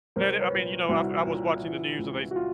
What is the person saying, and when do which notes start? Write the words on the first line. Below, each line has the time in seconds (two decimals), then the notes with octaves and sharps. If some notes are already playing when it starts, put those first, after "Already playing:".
And it I mean, you know, I I was watching the news, and they s
0.16 C2 A#4 C5
0.40 B4 C#5
0.53 A#2
0.89 C2 E4 F#4
1.26 A#2
1.62 E3
1.99 C#2
2.31 F#4
2.36 F4